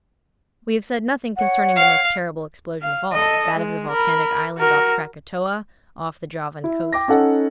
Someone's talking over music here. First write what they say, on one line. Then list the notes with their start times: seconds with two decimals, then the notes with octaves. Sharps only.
We have said nothing concerning the most terrible explosion of all, that of the volcanic island of Krakatoa, off the Javan coast.
1.37 C#5 F#5
1.76 F5
2.82 F5
3.12 A4 D#5
3.55 G#3
3.90 A#4 B5
4.58 F#4 A#4
6.64 E4
6.93 G5 D6 A#6
7.08 C#4 D#4 A4 F#5